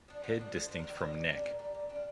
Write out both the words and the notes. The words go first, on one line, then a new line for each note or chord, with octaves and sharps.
Head distinct from neck.
F3 D4
D3 C5
F3 D4
D3 C5
F3 D4 C5
D3 A#4
G4
F3 D4 A#4
A#2 G4
G3 D4 A#4
A#2
G3 D4
A#2
G3 D4
F4